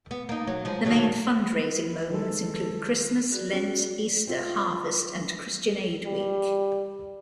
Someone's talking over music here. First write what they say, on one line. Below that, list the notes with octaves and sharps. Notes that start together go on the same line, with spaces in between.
The main fundraising moments include Christmas, Lent, Easter, Harvest, and Christian Aid Week.
B3
A#3 D#4
F#3
F3 G#3
D#3 F#3 A3
E4 B4
D#3 G#3 A4
F#4 G#4 D5
C#4
C4 F4
G3